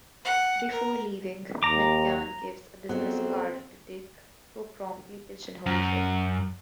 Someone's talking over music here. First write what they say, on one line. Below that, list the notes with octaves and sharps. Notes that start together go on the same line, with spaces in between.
Before leaving, McCann gives a business card to Dick, who promptly pigeonholes it.
F#5
A#4
D#2 A#5 D6
F2 G#2 F#3 B3 C4
F#2